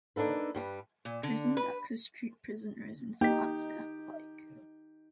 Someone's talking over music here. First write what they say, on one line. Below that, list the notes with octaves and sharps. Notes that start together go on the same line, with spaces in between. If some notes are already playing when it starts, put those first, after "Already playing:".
Prison doctors treat prisoners and Squad staff alike.
A#3 D4 D#4 A4 B4
G2 G3 G4 B4
A#2
D3
B4
A#3 D#4 G4 B6